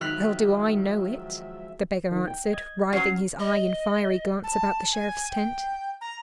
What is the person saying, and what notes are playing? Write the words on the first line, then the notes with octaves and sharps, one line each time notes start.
"Well do I know it," the beggar answered, writhing his eye in fiery glance about the Sheriff's tent.
D#3 F3 F#3 G#3 E5 F6 F#6 B6
D#3
G5
D#5 G#6
F#3 C#4 F#4 C#5 F6 C7
D#5
A5
G#5
G5
A#5